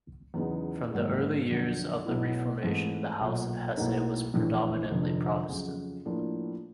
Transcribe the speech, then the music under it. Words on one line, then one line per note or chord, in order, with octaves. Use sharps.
From the early years of the Reformation, the House of Hesse was predominately Protestant.
E2 C#3 F#3 B3 D#4
G#1 G#2 D#3 F#3 A#3
F2 D3 F#3
B1 B2 F#3 B3 E4
G#2 E3 A3 C4
B1 A#2 F#3
B1 A2 F#3 A#3 D#4
A#1 A2 E3
F1 F2 D3
F2 C#3 F#3
A2 F3 A#3 D4